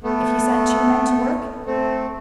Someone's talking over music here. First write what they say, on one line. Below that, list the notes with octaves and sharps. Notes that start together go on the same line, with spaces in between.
"If you set two men to work?"
A3 B3
A3 C4